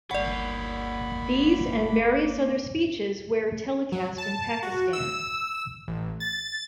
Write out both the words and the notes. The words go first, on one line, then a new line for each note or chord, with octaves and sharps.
These and various other speeches where telecast in Pakistan.
D1 G1 A#3 C#5 D5 F#5 B5
F#3
A5
F#4
E6
A1
A6